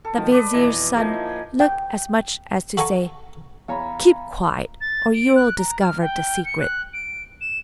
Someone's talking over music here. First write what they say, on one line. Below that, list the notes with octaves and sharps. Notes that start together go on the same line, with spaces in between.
The vizier's son looked as much as to say, "Keep quiet, or you'll discover the secret."
A4
B2 D#3 F3
B4 D5 D6 D#6
F2 B2 E3 A#5
F3 A#3 D#4 E4 G#5
G5
F#4 A4 F5 G#5 A#5 C#6
E2 C#5 F5 A#5 B5
A6
D7
F#6
A#5
F6
G5
C#7
F#6
D7
E7